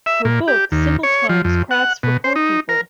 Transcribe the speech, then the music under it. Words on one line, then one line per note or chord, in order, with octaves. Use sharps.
Her book, Simple Times: Crafts for Poor People!
E5
A#2
G4
D#2
C#5
F3
F2
F#5
B2
C5
D#4
A#4